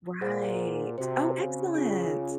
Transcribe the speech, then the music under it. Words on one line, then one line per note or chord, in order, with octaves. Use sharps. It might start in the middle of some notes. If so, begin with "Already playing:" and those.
Right. Oh, excellent!
A#2 G#4 C5 F#5
C3 C4 F#4 C5
C#3
C#4 F4 G#4